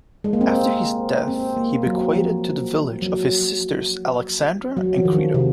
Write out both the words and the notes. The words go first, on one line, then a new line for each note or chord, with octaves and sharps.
After his death he bequeathed to the village of his sisters Alexandra and Creata.
G#3
A#3
C4
C4
A#3
F#3
F3
F#3
F#3
F3
D#3
C3